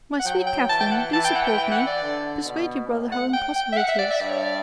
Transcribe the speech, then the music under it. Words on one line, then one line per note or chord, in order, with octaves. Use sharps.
My sweet Catherine, do support me; persuade your brother how impossible it is.
F#5
F#3 G5
G5
E3 A5
G5
F#5
E3 A5
G5
F#5
G5
G5
F#5
D5
D3
B2
A2
F#5
G5
G5
E5
F#5
E5
D5
E5
G2 D5
C#5
D5